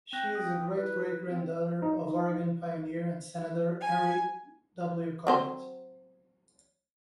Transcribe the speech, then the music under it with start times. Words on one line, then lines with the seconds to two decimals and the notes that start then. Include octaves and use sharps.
She is a great-great-granddaughter of Oregon pioneer and Senator Henry W. Corbett.
0.13 C4 G5 F#6 A#6
0.35 G5 D#6
0.76 E4 B4
1.29 C4
1.82 D#4
3.81 G#5
5.27 F#3 C4 C5